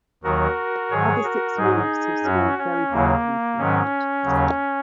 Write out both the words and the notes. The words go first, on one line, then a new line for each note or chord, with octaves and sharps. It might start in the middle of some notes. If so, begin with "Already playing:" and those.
Other sixth moves have scored very badly for White.
D#2 D#3 F#3 F#4 A#4
G#2 D#3 F#3 G#4 C#5
F#4 A#4
G#2 F#3 D#4 G#4
F#2 F#3 C#4 F#4
C#4
D#2 C#3 F#3 A#3
G#2 D#3 F#3 C#4
D#2 C#3 F#3